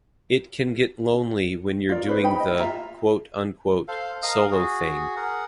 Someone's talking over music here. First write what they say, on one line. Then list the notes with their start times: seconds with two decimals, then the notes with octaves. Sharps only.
It can get lonely when you're doing the - quote unquote - solo thing.
1.89 F4 A#4 D5
2.07 C#4 B4 C5
2.23 D#4 G5 B5
2.35 D#5 B5
2.48 E4 D5
2.60 F4 B4 E5 A#5
3.88 A4 C5 F5
4.23 A#4 D#5 F5 D#6
4.51 F#4 G#4
5.16 G#4 A#4 F#5